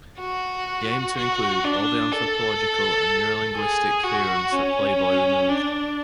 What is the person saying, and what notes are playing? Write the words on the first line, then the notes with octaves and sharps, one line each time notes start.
He aimed to include all the anthropological and neurolinguistic theorems that "Playboy" removed.
F#4
F#4
D4
A4
G#4
F#4
C#4
D4